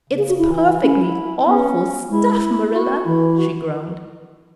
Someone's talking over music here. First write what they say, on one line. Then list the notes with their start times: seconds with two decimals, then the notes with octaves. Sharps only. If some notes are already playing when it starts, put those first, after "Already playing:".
"It's perfectly awful stuff, Marilla," she groaned.
0.09 C#3
0.18 G#4
0.29 F#4
0.39 E4
0.50 E3
0.81 C#4 E4
1.46 B3 C#4
2.10 G#3 E4
2.75 F#4
3.06 E3 E4
3.38 F#4